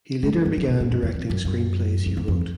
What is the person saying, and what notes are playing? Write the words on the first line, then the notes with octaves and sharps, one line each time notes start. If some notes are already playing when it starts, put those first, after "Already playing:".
He later began directing screenplays he wrote.
G#3
G3
F#3
F3
B2
A#2
F2
E2
F2
F#2
F#2
F2
E2
F2